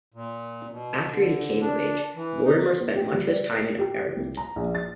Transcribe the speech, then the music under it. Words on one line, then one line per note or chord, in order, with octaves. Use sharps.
After he came of age, Mortimer spent much of his time in Ireland.
A#2
B2
D3
D4
E3
D#4
B3
G4
G3
D5
C7
G4
C2
A#5
A#1
A6